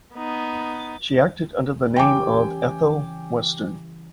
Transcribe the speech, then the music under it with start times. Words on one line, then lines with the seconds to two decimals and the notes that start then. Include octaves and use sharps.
She acted under the name of Ethel Western.
0.15 B3 D#4
1.96 C#3 E3 G3 G5 G#5 D6